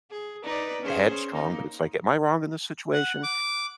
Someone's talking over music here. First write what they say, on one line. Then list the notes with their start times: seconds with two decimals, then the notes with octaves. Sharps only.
headstrong, but it's like, am I wrong in this situation?
0.11 G#4
0.44 D#4 B4 D5
0.82 C#4 G#4 C5
1.32 A#3 D#4
2.93 F#5
3.23 D6